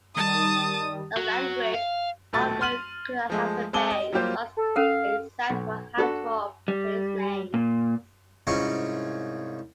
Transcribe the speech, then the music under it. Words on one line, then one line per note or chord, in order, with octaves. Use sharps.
The language of the Guanahatabey is lost except for a handful of placenames.
D#3 G3 A5 D#6
F#3
F5
D#1 B1 A3 A6
C6 F6 D#7 F#7
F3 G#3 A3
G#3 C4 G#5 A5 D6 G7
D#5
F#3 G3 A#3 F4 G4 C5
A4
C#4 A4 A#4 F5
B1
D4 F#4 A4
G3
A#2
C2 G#2 C#4 F4 G#4 C#6